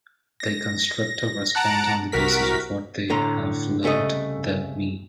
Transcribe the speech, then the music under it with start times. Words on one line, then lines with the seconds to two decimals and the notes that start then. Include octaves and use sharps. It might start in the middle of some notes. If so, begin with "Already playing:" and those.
They "construct" a response on the basis of what they have learned, the "me".
0.40 A#6
1.55 F#5 A5 A#5 D7
2.12 C2 F#4 A#4 B6
3.10 A2 D3 A#5 C6
3.83 C2 C#3 A3 A4 D#5